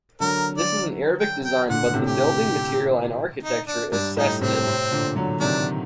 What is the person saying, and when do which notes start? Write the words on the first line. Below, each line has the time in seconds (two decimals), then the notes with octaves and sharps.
This is an Arabic design but the building material and architecture is Sassanid.
0.20 D3 F#3 A#4
0.58 D5
1.20 G5
1.45 G5
1.69 A#2 D3 F#5
1.87 D3
1.94 A2 C3
2.07 G4
3.43 D#4
3.68 D4
3.92 G2 D4
4.16 A2 D#4
4.41 A2 C3 C4
4.66 A2 C3
4.92 A#2 D3
5.16 D3 F#3
5.40 C3 D#3 D4